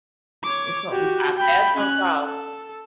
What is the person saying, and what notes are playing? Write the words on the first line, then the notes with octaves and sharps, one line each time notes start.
it's what we our paths are gonna cross.
C#5 D6
F#4 G4
G5 B5
C#4 F#6
A4